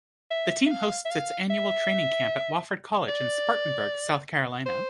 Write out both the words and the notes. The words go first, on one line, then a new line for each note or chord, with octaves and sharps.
The team hosts its annual training camp at Wofford College in Spartanburg, South Carolina.
E5
E5
F5
E5
F5
E5
D5
C5